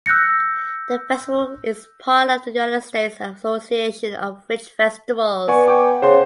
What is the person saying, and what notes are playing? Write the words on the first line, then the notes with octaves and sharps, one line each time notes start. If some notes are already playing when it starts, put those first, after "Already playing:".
The festival is part of the United States Association of Fringe Festivals.
E6 F#6 G6 A#6 C#7
B3 D5 G#5 C#6
G5 G#5 D6
C#3 C5 F#5 C6